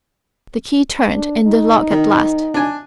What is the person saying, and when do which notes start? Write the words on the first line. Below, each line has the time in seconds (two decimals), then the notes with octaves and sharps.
The key turned in the lock at last.
1.14 D4
1.47 D#4
1.91 D#3
2.54 D4 G#5